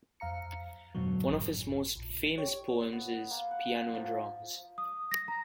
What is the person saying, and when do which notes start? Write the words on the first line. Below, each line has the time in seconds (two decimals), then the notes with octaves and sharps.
One of his most famous poems is "Piano and Drums".
0.20 F2 F5 A#5 C#7
0.95 F2 G#2 B2 D3 F#3
1.28 A1 F#2
1.96 A#1
2.38 G4 C#5
2.93 B3
3.31 A#3
3.51 F#5
3.95 F3
4.78 D#6
5.11 A#6
5.28 A#5